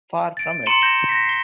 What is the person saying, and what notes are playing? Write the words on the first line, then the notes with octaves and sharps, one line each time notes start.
Far from it.
A6 D7
A#5 C6 C#7 D#7 E7 G7
G6 A#6 E7 G7
A#6 B6
C7 G7